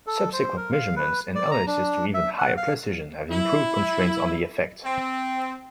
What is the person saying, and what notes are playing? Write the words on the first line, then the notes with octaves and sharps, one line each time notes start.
Subsequent measurements and analysis to even higher precision have improved constraints on the effect.
A4
C5
A#4
F5
B4
D5
A#5
D4
E5
F#5
F5
E4
C4